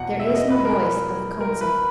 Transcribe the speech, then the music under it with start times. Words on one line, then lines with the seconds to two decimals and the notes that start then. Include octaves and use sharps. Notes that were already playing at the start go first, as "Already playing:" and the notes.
There is no voice of the council.
Already playing: E2 B2 F#5
0.20 E5
0.35 D#5
0.50 B4
0.65 A#4
1.41 A#4
1.61 B4